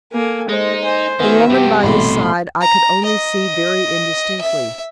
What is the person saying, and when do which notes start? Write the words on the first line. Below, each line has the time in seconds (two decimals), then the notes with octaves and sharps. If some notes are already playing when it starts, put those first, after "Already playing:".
The woman by his side I could only see very indistinctly.
0.13 A#3 A4 G#5
0.49 G#3 D#4 C5
0.84 C5 G#5
1.20 D#3 B3 F#4 E5 G#5
1.50 G2 C3 G4 G5
1.83 A1 B2 A3 B5 C6
2.61 A#5
3.05 D#5
4.41 E5